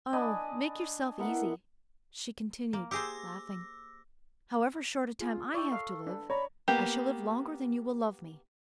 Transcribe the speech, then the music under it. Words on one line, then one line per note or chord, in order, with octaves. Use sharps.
"Oh, make yourself easy," she continued, laughing; "however short a time I have to live, I shall live longer than you will love me!"
D4 D#5 G#5 B5
B3 E4 A#4 F#5
A#3
G4 G#4 C5 D6 E6 A#6
F4 G#4
E4 D5 G5 C#6
A4 F5
D4 B4
C#5 D5 A#5 B5
A#3 B3 G4